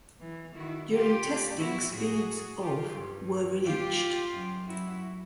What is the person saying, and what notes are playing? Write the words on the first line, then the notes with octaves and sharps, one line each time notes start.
During testing speeds of were reached.
E3
D#3 E4 F#4
D3 F4 G4
C#3
B2 E4 F#4
A2 F#4 G#4
F4 G4
G2
F4 G4
F#2
F#2 E4 F#4